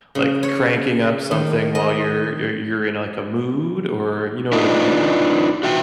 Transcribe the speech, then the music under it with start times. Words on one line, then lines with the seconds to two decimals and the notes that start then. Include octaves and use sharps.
like, cranking up something while you're you're you're in, like, a mood, or you know what I mean?
0.15 C#3
0.43 C#5
1.31 D#3
1.75 D#5
4.53 D4 D#4 F4 B4 D#5
5.63 F#4 E5 G5